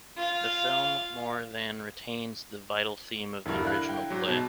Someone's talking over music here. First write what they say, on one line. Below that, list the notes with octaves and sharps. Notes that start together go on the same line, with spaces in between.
The film more than retains the vital theme of the original play.
F4 F5
E1 G2 D3 E4 A#4
F5 B5 F#6
G5
G#2 F#3
B2